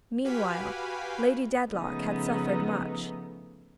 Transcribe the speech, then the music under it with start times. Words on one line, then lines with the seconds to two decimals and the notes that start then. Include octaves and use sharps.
Meanwhile Lady Dedlock had suffered much.
0.25 F#4 G4 B4 F5 G#5 B5
1.67 C#3 F3 A3 B3 D#4